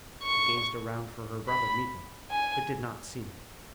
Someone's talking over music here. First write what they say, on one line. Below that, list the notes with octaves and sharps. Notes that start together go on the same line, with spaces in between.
I gazed around for her brother Miko, but did not see him.
C#6
B5
G#5